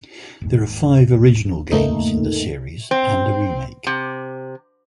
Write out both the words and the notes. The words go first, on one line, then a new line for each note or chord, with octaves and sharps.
There are five original games in the series, and a remake.
D#1 D#2 G#2
E2 G#2 C#3 A3 A#3 D#4
C4
C3